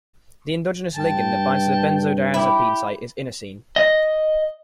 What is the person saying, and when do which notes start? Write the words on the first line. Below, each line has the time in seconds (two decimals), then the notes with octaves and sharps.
The endogenous ligand that binds to the benzodiazepine site is inosine.
0.95 G2 G5 A5
2.34 E4 G4
3.76 D#5